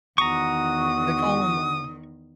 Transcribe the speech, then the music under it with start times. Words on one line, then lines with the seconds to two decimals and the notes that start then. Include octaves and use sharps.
they call 'em, uh
0.18 E2 D#3 F#4 A#5 C#6 D#6